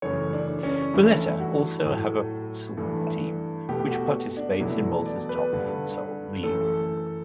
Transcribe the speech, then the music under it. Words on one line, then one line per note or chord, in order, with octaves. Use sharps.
Valletta also have a futsal team which participates in Malta's top futsal league.
F#2 C#3 E3 A3 C#5
D4
C#4
G2 E3 A3 E4
F#4
A2 F#3 A3
G2 E3 A3
B2 A3 G4
F#4
D4
E2 B2 F#3 A3 E4
D5
B4
G2 D3 G3
F#2 E3 A3 A4